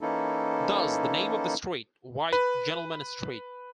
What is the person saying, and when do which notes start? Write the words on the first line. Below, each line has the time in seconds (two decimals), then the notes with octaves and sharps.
Thus the name of the street; "White gentlemen street".
0.01 E3 A#3 C#4 D#4 E4 A4
2.33 B4